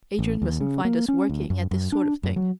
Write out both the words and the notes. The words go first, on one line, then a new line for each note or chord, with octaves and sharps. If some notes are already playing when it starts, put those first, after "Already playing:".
Adrian mustn't find us working at this sort of thing.
A1
D#2
C#3
A#3
C#4
D2
F#2
F#2
D4
F#2
F#3